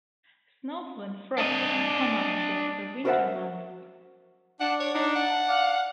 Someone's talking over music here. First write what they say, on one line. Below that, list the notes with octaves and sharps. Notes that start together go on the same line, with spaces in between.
Snowfall and frost are common during the winter months.
D4 D#5
F#4 A#4 C5 D#5 E5 F#5
D4 F#5
C#5
D4 D#4
F#5
D5 F5